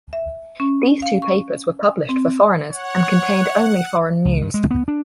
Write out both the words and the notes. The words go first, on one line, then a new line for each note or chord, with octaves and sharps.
These two papers were published for foreigners, and contained only foreign news.
E5
C#4
F5
C#6
C4
C#5 F#5
C#2
G2
G#3
B3
D4